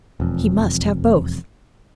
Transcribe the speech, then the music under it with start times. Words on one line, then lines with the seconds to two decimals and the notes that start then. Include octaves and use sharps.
He must have both.
0.20 E1 F2